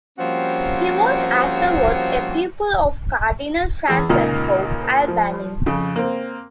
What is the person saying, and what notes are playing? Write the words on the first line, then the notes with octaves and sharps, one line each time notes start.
He was afterwards a pupil of Cardinal Francesco Albani.
F3 G3 A#3 C4 C#4 F#4
E2 G#4 E6
C#2 A#2 A#3 D#4 A#4 F6
F3
F2 C#3
A#3 C4